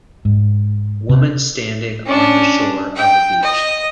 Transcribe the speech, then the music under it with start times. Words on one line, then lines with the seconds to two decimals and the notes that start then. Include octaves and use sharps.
Woman standing on the shore of a beach.
0.25 G#2
1.09 C3
2.05 C#4 D4
2.96 G5
3.43 D#5